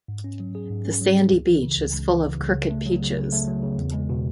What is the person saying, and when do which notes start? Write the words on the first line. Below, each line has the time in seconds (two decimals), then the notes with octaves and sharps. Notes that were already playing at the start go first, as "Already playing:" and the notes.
The sandy beach is full of crooked peaches.
0.08 G#2
0.24 C#4
0.40 F#3
0.55 G#4
0.70 G#2
0.85 C#4
1.01 F#3
1.16 G#4
1.31 C#2
1.47 E3
1.62 C#3
1.78 C#2
1.93 C#2
2.09 E3
2.25 C#3
2.40 C#2
2.55 C#3
2.70 A3
2.86 F#3
3.02 C#3
3.17 C#3
3.32 A3
3.47 F#3
3.63 C#3
3.78 E2
3.94 G#3
4.09 B2